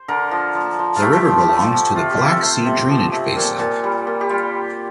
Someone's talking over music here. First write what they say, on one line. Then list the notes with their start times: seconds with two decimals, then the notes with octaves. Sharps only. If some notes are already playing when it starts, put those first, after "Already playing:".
The river belongs to the Black Sea drainage basin.
Already playing: C5
0.08 D3 A#4
0.31 F3
0.55 F3
0.79 F3
0.96 F4
1.02 A3 G4
1.25 F3
1.48 A3
1.72 F3
1.95 C3 F4
2.11 G4
2.19 C3
2.27 A4
2.42 A3 C5
2.66 C3
2.89 F3
3.12 C3
3.36 A#2
3.59 A#2
3.84 G3
4.07 A#2
4.21 G4
4.30 G3 F4